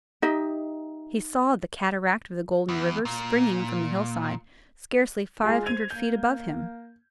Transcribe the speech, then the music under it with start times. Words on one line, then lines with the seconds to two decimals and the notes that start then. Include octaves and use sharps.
He saw the cataract of the Golden River springing from the hillside, scarcely five hundred feet above him.
0.22 D#4 G4 D#5 E5
2.69 E2
3.05 A#2
5.43 G#3 F4 G#4
5.66 C5 G#6 D#7 F7
5.91 A#3 G6